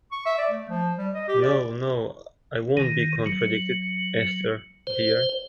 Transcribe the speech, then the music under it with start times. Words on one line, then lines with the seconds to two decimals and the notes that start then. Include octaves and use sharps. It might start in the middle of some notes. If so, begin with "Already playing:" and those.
No, no, I won't be contradicted, Esther dear!
0.12 C#6
0.26 E5
0.38 D5
0.51 A3
0.69 F3
0.98 G3
1.14 D#5
1.28 G4
1.42 D5
2.77 D#3
3.26 F#3
4.87 C5